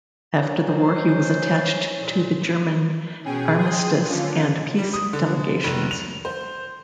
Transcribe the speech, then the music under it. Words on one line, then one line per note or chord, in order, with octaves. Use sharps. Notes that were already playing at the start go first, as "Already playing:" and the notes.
After the war he was attached to the German Armistice and Peace delegations.
C3 A#3 C#4 D#4
D#4 C5
F2 A#2
B2 C#4 G#4 G5
G#4 G5 C6 D#6
D3 C#4 F4
G3
D#6
D3
F1
F7
C5